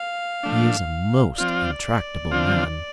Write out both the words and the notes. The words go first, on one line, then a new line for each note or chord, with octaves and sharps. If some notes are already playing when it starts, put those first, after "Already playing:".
"He is a most intractable man."
Already playing: F5
F3 A3 D4
F3 C4 F4 D5
D3 F3 C4 F4